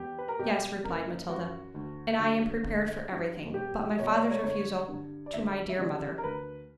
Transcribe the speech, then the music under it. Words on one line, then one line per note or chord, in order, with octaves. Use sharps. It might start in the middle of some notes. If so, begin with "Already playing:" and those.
"Yes," replied Matilda, "and I am prepared for every thing, but my father's refusal to my dear mother."
Already playing: E2 G4
B4
A#4
B2 F#3 G4
F#1 A#4
F#2 E3 F#4
D2
D3 F#3
G1
G2 F#3
E1 G4
E2 B2 C#5
D5
C#5
D5
C#5
G1 C#5
G2 D3
D5
D2 E5
E5
C#3 E3 G3 D5
A#4
D2 B4